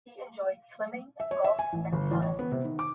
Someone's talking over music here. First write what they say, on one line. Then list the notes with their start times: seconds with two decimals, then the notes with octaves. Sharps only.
He enjoyed swimming, golf and flying.
1.20 E5
1.31 C#5
1.44 E5
1.59 G#5
1.73 A1
1.93 G1
2.11 A1
2.22 C#5
2.39 B3
2.52 C3
2.64 D#3
2.79 D6